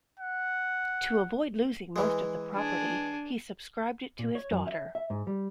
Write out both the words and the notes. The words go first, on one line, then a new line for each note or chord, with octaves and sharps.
To avoid losing most of the property, he subscribed it to his daughter.
F#5
E3 G#3
D4 G#4
A#2
C#5
F#2
E5
E5
G#2
G3